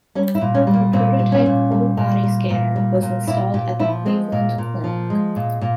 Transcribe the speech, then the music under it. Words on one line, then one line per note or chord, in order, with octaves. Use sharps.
A prototype whole body scanner was installed at the Cleveland Clinic.
G3 C#4
E4
A#2
C#4
G3
A#3
A#2 C4
G3
C#4
A#2
G3
A#2
G3
A#2
G3
A#2
A#2 E4
A#2 G4
F3 E4
G#3 C4
A#2
A#2
F3
G#3
A#2
A#2